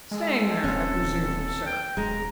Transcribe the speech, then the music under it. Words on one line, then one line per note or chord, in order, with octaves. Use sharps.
'Staying there, I presume, sir?'
G#3 A4
D#1 C4 C#4
G5
D1 G#3 A#5